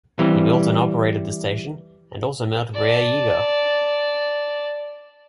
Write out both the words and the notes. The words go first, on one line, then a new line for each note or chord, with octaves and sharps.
He built and operated the station, and also met Rhea Yeager.
E3 G3 C4
D5 A5